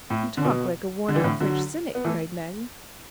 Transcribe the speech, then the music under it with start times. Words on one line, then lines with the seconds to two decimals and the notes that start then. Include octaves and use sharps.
"You talk like a worn-out French cynic," cried Mattie.
0.10 A2
0.37 D3
0.44 B2
1.08 D3
1.16 E3
1.24 A2 D3
1.40 D3 F#3
1.95 B3
2.05 E3 A3